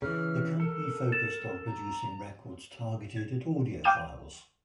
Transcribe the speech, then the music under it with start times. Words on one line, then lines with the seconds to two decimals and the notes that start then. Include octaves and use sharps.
The company focused on producing records targeted at audiophiles.
0.02 C#3 E3 G#4 F6
0.60 A4 A#4
1.12 A6 E7
1.65 A#5
3.16 G#6
3.84 F5 G5 D6 G6 D#7 E7